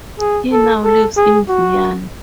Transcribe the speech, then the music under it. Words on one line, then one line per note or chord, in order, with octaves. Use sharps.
He now lives in Vienna.
G#4
A4
A4
G#4
F#4